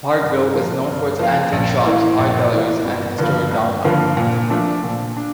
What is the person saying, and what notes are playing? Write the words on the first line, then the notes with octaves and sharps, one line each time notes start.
Parkville is known for its antique shops, art galleries, and historic downtown.
G2
F3 A#3 F4
G2
F3 A#3 F4
A#1
A2 E3 A#3
A#1
A2 E3 A#3
G1
G2 D3 F3 A#3
G1
G2 D3 F3 A#3
A#2
F3 A3 D4
A#2
D4